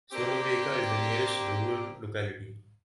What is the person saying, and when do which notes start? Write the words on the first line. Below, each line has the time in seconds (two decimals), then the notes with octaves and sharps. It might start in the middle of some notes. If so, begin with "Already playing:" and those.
Solovyevka is the nearest rural locality.
0.12 A#3 C4 D4 G4